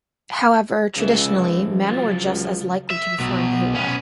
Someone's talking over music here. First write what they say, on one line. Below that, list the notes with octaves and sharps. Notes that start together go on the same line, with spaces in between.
However, traditionally, men were just as likely to perform the hula.
C#2 F3 E5
F#3 F4
C#2
E5
B2 F#3
B3 C#4